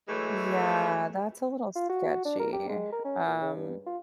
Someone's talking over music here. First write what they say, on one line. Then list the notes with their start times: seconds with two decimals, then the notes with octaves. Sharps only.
Yeah, that's a little sketchy. Um,
0.08 E3 F#3 G#3 A3
1.75 F4
1.89 F#4
2.25 D4
2.39 A#4
2.53 G4
2.68 G#3
2.92 A#4
3.04 C#4
3.26 A#2
3.41 C#3
3.56 G2
3.86 F4